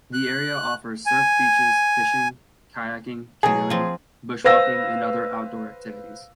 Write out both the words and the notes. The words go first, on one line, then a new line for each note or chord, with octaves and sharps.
The area offers surf beaches, fishing, kayaking, canoeing, bushwalking and other outdoor activities.
F#6
G#5
B2 F#3 G#4
F3 C4
B4 C5 F5 E6 A#6